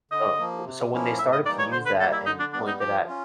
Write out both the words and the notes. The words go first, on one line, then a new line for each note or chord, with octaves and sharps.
Oh, w so when they started to use that and pointed at
D3 D#5
F3 A#3
C3
F3 A#3 C#4 E4
A2 E5
D#5
E3 G3 A#3 D#4 D5
C#5
D3 C5
B4
G3 A#3 A4
E4
D3 D#4
D4
G3 B3 D4
D#4
F3 G4
C#4 F4